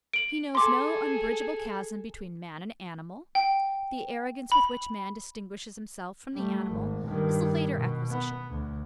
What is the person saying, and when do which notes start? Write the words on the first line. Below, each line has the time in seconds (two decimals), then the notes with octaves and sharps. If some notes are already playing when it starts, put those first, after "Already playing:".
He knows no unbridgable chasm between man and animal; the arrogance with which man distinguishes himself from the animal is a later acquisition.
0.13 D7 F#7
0.55 G#4 A4 C6 D6
3.35 G5
4.52 B5
6.34 G3 A3
6.69 G#1
7.09 G2 D#3
7.78 B2
8.11 B3
8.50 D2